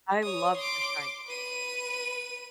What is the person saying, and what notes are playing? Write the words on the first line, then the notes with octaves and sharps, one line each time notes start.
I loved The Shining.
C#5 D#6
C6 D6
B4 D#7